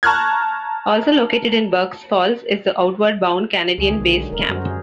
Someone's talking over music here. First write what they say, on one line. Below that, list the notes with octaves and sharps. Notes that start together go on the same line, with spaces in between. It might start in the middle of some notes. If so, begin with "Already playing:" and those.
Also located in Burk's Falls is the Outward Bound Canadian Base Camp.
A5 A#5 C#6 F6 F#6 G#6
C#2 D#3 G#4
B1 D3 F#3 G#3
D1 A#4
F#2 G3 F#4 C5
G#4